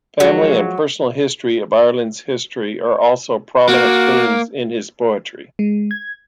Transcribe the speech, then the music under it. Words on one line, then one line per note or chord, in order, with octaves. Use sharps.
Family and personal history and Ireland's history are also prominent themes in his poetry.
F3 F#3 G#3
A#3 F#4
G#3
G#6